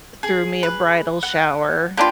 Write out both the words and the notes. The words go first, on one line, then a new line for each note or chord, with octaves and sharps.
threw me a bridal shower,
G#4
B4
F#5
A#3 D4 F4 G4 B4